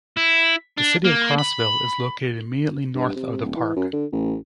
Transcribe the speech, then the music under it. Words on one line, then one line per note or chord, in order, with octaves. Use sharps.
The city of Crossville is located immediately north of the park.
E4
D4
A#3
B5
G2
C3
D1
E3
F#2
D3
A1